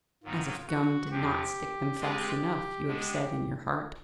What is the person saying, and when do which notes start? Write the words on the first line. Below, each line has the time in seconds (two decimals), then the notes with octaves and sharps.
'As if gum did not stick them fast enough!' you have said in your heart.
0.23 G#2 D#3 F#3 B3 D#4 F4
0.68 F#4
1.12 E2 C3 F3 G4
2.00 G#3 C4 F4 G#4 B4
2.88 G#3 B3 D4